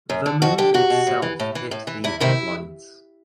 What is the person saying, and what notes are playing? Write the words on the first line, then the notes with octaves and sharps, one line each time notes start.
The move itself hit the headlines.
F#2
D3
F2 F#4
D3 G4
E2 F#4
B2
A2
E3
A2
E3
A2
E3
E2 E4
C3 D#3 E4